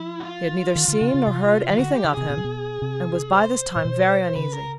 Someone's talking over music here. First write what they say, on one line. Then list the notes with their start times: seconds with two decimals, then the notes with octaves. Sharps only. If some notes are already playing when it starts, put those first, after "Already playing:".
She had neither seen nor heard anything of him, and was by this time very uneasy.
Already playing: F3 E4
0.20 F#4
0.23 F4
0.76 D#3
0.88 D3
1.01 C#3
1.14 C#3
1.27 C3
1.68 D#3 F4
1.78 D3 F#4
1.96 G4
2.04 D3
2.13 C3 G#4
2.30 B2
2.38 C3
2.44 B2
2.82 C3
3.33 C5
3.76 A#2
3.85 B2
4.36 C#3 B4
4.54 A#4